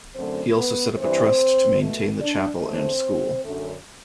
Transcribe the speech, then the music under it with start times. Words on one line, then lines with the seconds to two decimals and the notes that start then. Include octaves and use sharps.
He also set up a trust to maintain the chapel and school.
0.15 F#2 D3 F#3 A3 C4 C5
0.56 B3 B4
0.98 G2 E3 G3 C4 C5
1.80 B2 A3
2.20 D4 D5
2.61 E2 D3 A3 C4 C5
3.44 F#2 D3 A3